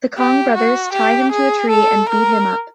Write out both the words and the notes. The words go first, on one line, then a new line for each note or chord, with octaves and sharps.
The Kong brothers tie him to a tree and beat him up.
G4
F#4
G4
G#4
A4
A#4